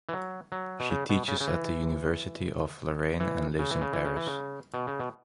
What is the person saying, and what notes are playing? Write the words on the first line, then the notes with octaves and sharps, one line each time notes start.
She teaches at the University of Lorraine and lives in Paris.
E3
F#3
F#3
B2
C#3
B2
C#3
C#3
E3
E3
C#3
E3
C#3
E3
C#3
E3
C#3
B2
C#3
B2